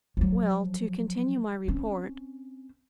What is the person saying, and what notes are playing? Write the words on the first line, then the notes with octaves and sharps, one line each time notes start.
Well, to continue my report.
F3 F#3
C4 C#4